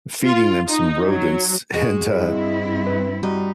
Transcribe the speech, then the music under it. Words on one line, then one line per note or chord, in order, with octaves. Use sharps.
feeding them some rodents, and, uh
F4
D#4
F#3
G#3 F#4
G2 C4 E4
B4
G3 D#4 F#4